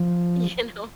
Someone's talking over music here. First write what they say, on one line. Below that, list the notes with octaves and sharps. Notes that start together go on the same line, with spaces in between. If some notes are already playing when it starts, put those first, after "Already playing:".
you know.
Already playing: F3